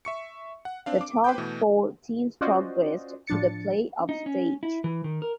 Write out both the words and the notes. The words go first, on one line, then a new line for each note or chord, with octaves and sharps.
The top four teams progressed to the playoff stage.
E5 C#6 C#7
F#5
C4 D4 F5
D6
B4 C5 G5 D6 G6
B2 E3 A3
C#4 F4 F#4 C5 D5 D#5
A2 F3 D4 A6 C#7
D#4
C#4
E4
E3
D#3
A#4